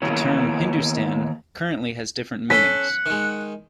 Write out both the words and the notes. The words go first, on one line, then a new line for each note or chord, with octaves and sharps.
The term "Hindustan" currently has different meanings.
D#3 A#3 B3 E4 C#5
C#4 A4 F#5 C6 B6
D#3 G#3